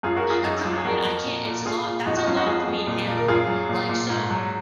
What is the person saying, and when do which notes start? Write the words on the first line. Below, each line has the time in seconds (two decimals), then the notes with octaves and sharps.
they're crowded. I can't, it's a lot that's a lot for me to handle. Like, so
0.03 F#2 F4 G#4
0.16 F#4 A#4
0.24 F#2
0.30 F4 G#4
0.44 F#2 D#4 F#4
0.64 F#3 F4 G#4
0.78 G#4
0.85 F2 F#4 A#4
1.05 F2
1.26 A#2
1.45 A#2
1.66 A#2 F4 G#4
1.86 A#2
2.06 F2 D#4 F#4
2.16 D#4 F#4
2.26 F#3 C#4 F4
2.37 D#4 F#4
2.47 F2 F4 G#4
2.68 F2
2.87 A#2
3.08 A#2
3.17 A#4
3.28 F#2 F4 G#4
3.48 F#3
3.69 A#2
3.89 A#2
4.10 G#2
4.30 F#3